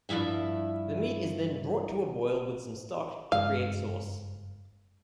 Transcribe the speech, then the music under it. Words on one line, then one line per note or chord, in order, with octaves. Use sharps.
The meat is then brought to a boil with some stock to create sauce.
G2 B2 F3 E4 E5
F#1 G2 G#3 F5